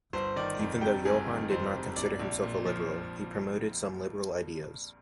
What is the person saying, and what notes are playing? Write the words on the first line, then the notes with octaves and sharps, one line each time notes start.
Even though Johann did not consider himself a liberal, he promoted some liberal ideas.
G1 C5
D#3 D5
F2
C3 G5
G1 G#4
D#3
F2 C5
C3
A#1 D5
A#1
A#2
F3